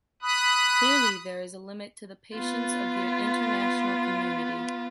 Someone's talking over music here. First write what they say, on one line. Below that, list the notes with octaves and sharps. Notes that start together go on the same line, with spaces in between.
Clearly, there is a limit to the patience of the international community.
B5 D#6 F#6
B3 F4